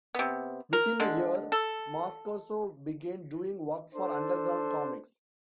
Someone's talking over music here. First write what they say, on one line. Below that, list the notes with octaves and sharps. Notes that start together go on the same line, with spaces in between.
Within a year, Moscoso began doing work for underground comix.
C3 B3
A#4
D3 G#3
A4
D4 A4 C5